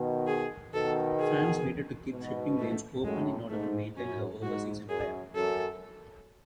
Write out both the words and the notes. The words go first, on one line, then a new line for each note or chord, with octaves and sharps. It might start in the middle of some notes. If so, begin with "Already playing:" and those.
France needed to keep shipping lanes open in order to maintain her overseas empire.
Already playing: B2 D#3
G#4
B2 D#3 A4
G#4
G#2 B2
A3
F#2 A2 G#3
G#2 A3
F#2 C#4
G#2 F#4
F#2 G#4
F#2 A4